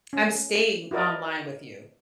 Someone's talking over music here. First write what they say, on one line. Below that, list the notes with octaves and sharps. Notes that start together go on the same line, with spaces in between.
I'm staying online with you.
C#4
E4 F#4 A#4 D5 D#5